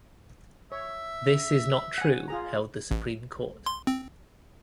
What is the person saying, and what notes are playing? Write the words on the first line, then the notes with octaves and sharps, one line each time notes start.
This is not true, held the Supreme Court.
C#5 E5
F#5 G#5
F4 G#4 A#5
A1
C6
C4